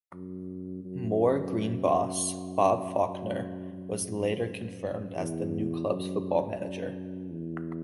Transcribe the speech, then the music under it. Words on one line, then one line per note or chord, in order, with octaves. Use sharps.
Moor Green boss, Bob Faulkner, was later confirmed as the new club's football manager.
F#2
F#2
F#2
F#2
E2
F#2
F#2
E2